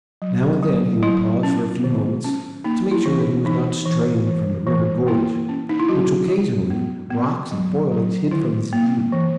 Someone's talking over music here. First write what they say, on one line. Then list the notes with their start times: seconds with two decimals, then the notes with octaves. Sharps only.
Now and then he would pause for a few moments to make sure that he was not straying from the river gorge, which occasional rocks and foliage hid from his view.
0.22 F#3
0.63 F#3
1.03 F#3 E4
1.43 C#4
1.84 D#3
2.24 C#4
2.64 A#3 D#4
2.91 E4
3.06 E3
3.19 D#4
3.45 E3 D#4
3.86 E3
4.27 E3
4.67 E3
5.07 A#3 E4
5.49 C#4
5.69 D#4
5.80 E4
5.88 F#3 F#4
6.29 F#3
6.70 B3
7.10 B3
7.51 F#3
7.92 F#3
8.31 D#3 E4
8.73 A#3
9.12 E3